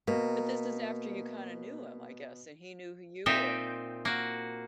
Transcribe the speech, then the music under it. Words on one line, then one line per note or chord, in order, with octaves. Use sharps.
But this is after you kinda knew him, I guess, and he knew who you were.
B2 A#3
A#2 C4 D#4 E5 G5
A#3 F#4